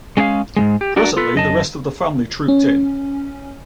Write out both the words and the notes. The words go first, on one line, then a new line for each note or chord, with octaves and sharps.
Presently the rest of the family trooped in.
G#3 C#4 D4 G#4 F5
G#2 C3 G#3
G4
D4 F#4 A#4 D5
F4 A4 B4
F#2 D#5 A5
C#4